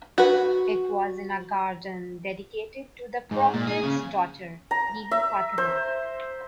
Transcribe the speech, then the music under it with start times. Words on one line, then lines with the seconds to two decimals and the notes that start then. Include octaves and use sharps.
It was in a garden dedicated to the Prophets' daughter, Bibi Fatimah.
0.18 F#4 B4
3.31 G#2
3.54 A#2
3.67 G#4
3.84 C#3
4.71 A#5
5.11 E5
5.58 C5